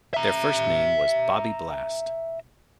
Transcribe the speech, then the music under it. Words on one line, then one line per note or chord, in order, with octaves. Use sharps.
Their first name was "Bobby Blast".
E5 A#5